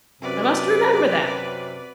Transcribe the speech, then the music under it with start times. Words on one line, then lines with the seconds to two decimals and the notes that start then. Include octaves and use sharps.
I must remember that.
0.22 F#2 C3 B4 D5